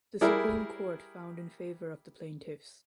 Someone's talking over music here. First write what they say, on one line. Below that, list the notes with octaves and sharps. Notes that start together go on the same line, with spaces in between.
The supreme court found in favor of the plaintiffs.
G3 E4 G#4 A#4